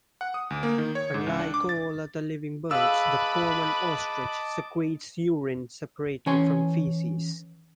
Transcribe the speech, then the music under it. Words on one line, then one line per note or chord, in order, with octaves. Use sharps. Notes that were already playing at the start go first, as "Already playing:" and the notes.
Unlike all other living birds, the common ostrich secretes urine separately from faeces.
F#5
D#6
D2
A#3
D#3
C#5
G#2
C#2
D4
D6
A6
G#4 B4 D#5 F5 A5 B5 D6 E6
E3 C#4 C#5 G#5 C6